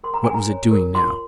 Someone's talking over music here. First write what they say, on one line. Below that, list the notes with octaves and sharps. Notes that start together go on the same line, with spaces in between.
What was it doing now?
A#4 C6
A#5
A#4 G#5
A#5
C#5
A#4
F4 C6